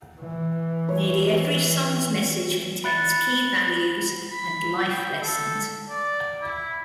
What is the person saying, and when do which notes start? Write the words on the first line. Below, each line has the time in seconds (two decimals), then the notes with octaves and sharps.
Nearly every song's message contains key values and life' lessons.
0.19 E3
0.89 C#5
2.84 B5 F#6 A6 C#7
4.30 B5
4.89 G5
5.21 A4
5.89 D5
6.41 E4